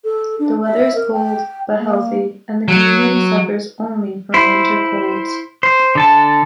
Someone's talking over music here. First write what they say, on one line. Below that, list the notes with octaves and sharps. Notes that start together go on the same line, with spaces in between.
The weather is cold, but healthy, and the community suffers only from winter colds.
A4
D4
E5
A#4
G5
A#3
F#3
E4 C5
C5
D3 A4 A5